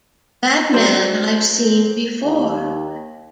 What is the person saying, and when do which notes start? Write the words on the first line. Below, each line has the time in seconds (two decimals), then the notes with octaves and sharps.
That man I’ve seen before.
0.73 F#3 C4 D4 C5
2.24 D#2